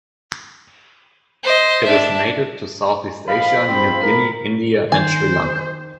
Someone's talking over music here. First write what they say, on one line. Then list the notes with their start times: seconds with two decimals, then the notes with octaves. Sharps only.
It is native to Southeast Asia, New Guinea, India, and Sri Lanka.
1.43 C5 D#5
1.84 D4 E5
3.29 G#2 F3 F5 B5
3.68 C4
4.03 A#4
4.92 D#3 C5 G#5